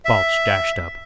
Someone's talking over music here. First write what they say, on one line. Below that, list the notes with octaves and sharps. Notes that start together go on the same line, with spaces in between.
Balch dashed up.
E5